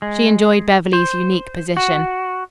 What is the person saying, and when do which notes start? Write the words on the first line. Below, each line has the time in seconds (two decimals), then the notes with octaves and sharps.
She enjoyed Beverly's unique position.
0.02 G#3
0.93 C5
1.77 F#4